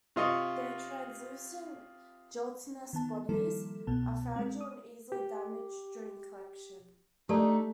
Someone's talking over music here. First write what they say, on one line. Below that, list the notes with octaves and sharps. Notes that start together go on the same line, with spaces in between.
Their translucent, gelatinous bodies are fragile and easily damaged during collection.
C3 F4 D#5 C#6
D#3 B3 A5
D#3 F3 G3 A#3 E4 A4
C2 B2 B3 A5
G#3 C4
D#6
G4
A3 D4 D#4 G4 A4 D5